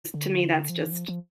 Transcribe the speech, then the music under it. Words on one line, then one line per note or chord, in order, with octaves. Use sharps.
to me that's just
D3
F3
E3
F3
F3